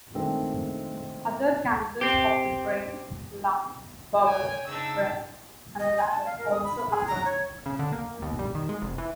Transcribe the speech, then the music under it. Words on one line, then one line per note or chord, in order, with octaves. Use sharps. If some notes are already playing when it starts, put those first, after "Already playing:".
Other cancers of the brain, lung, bowel, breast, and bladder also occurred.
D#3 G#3 A3 C4 D4
C4 G4
C#5 G5 G#5
C#3 D4 D#4 E6
D#5
G#5
A5
F5
A#4
D#6
B5
B5
G#4
A#5
C#5
C#3
D3
A#3
D#2
G3
D#3
G#3
F1
E3